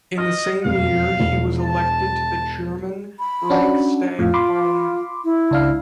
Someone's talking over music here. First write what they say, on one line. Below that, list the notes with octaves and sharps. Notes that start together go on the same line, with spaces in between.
In the same year, he was elected to the German Reichstag parliament.
D#5 F6
E1 F2 F5
E1
A5
B5
C#4 D4 F#4
F2 A2 F4
B5 C6 D6
E4
C#2 D4 F5